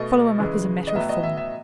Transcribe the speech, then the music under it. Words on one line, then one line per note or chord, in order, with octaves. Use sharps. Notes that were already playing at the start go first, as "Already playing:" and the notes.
Follow him up as a matter of form.
Already playing: B2 A3 D#5
C#3 E3 G#3
D#5
A2 F#3 B3 E5
D#5
E5
E5